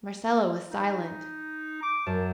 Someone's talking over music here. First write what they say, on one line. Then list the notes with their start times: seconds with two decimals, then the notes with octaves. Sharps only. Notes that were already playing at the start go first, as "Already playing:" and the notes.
Marcella was silent.
0.70 D#4
1.82 D6
2.06 F#2 A5